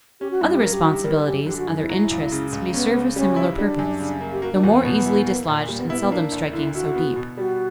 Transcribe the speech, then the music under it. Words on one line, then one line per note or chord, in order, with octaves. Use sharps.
Other responsibilities, other interests, may serve a similar purpose, though more easily dislodged and seldom striking so deep.
C#4 G4
F#4
G2 E4
G4
F#3 A#4
G4
E4 F#4
G4
G3 A#4
F#2 G4
D3 G4
F#4
F#2 E4
E4
F#3
C#2
C#3
C#2
B3 C#4
C#3
G3 C#4
E4
G3 D4
F#2
C#3
A#3
G4
A#3 F#4
D4
E2 F#4
B3
B2
E4
A#3
A#2
G3 A#3
B3
B3 E4
B3
A#3 D4
D2
D3 E4
E4 F#4
B3
B2
G3 F#4